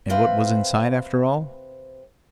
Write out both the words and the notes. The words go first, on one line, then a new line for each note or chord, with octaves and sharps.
And what was inside after all?
C3 C4 B4 F5